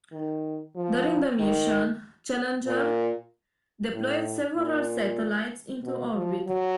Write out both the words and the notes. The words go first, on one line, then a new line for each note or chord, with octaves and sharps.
During the mission, "Challenger" deployed several satellites into orbit.
D#3
F3
D#3
A#2
A2
A#2
B2
F3
F#3